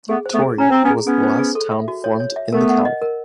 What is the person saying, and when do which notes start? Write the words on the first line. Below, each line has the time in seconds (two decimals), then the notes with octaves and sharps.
Torrey was the last town formed in the county.
0.09 A3 B3 G#4
0.26 C5
0.33 A3 B3
0.42 G#4
0.58 C#4 A#5
0.71 C4 A#5
0.84 B3 C#4
0.90 G#4
1.06 B3 C#4 G#4
1.23 C5
1.39 G#4
1.55 A4
1.72 E5
1.88 F#4
2.04 C#5
2.20 C#5
2.36 E5
2.53 A3 B3 A#4
2.69 F#5
2.85 D#5
3.02 A#4